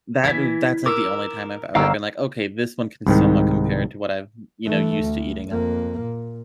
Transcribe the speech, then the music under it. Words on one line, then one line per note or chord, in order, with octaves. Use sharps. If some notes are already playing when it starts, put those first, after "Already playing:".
That, uh, that's, like, the only time I've ever been like, "Okay. This one can somewhat compare to what I've, you know, used to eating at
E3 G#6 B6
A#4 D6 E6
G1 A#3 D#4 G4 F5 A#5 E6
C2 G#2 D#3
E3 A3
D2
F2 A#3
A#2